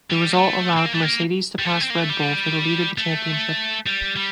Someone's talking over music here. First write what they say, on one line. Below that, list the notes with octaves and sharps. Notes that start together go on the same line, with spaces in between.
The result allowed Mercedes to pass Red Bull for the lead of the Championship.
G3
A3
C4
A#3
A3
A#3
G3
A3
C4
A#3
A3
G3
A3
G3
G3